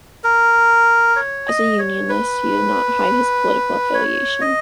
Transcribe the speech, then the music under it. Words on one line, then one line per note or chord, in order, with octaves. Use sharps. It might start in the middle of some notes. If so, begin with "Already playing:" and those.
As a unionist, he did not hide his political affiliation.
A#4
C#5
D#5
C#5
B4
C#5
D#5